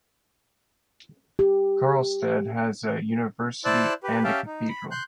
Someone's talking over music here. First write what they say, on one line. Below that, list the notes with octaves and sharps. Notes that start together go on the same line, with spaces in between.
Karlstad has a university and a cathedral.
G4
E4 C5 D5 A5 E6 F#6
G4 B4
C#4 G4 E5 F5 G5 A5
D#4
B5
C6 F#6 G6